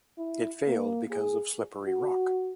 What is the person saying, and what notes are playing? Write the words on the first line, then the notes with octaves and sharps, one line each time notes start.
It failed because of slippery rock.
E4
A#3
G#4
F#4